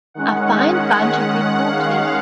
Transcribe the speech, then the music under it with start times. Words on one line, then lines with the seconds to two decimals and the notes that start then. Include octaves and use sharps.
A fine bunch of reporters.
0.14 D#3 G#3 C#4 F#5
0.91 F#5
1.67 F5